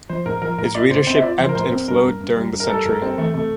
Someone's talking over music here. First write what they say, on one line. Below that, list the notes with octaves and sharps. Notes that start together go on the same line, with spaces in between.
Its readership ebbed and flowed during the century.
F3 C5
A2 A#4
F3 A#4
A2 A#4
F4 D5
A2 C5
C4 C5
E5
F4 D5
F3 C5
A#4
A2 C5
C4
G2 A#4
G2
G2
G3
G2
A#4
G3 A4
G2 A#4
G3 C4
E3 A3
C3 A3